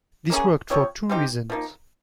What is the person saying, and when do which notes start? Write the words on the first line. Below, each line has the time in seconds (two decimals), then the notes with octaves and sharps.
This worked for two reasons.
0.30 A#3 C#4 G#4
0.70 F3 C4 G4 C#5
1.09 G3 C4 D#4 G4
1.50 F3 A#3 D#4